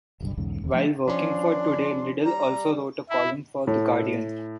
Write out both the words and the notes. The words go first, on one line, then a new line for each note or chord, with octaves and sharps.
While working for "Today", Liddle also wrote a column for "The Guardian".
F#1 B1 G2
B1 E2 G#2 C#3
E1 D#2
F3 A3 C4 D4
F3 C#4 D4 C6
G3 A#5
E4
A2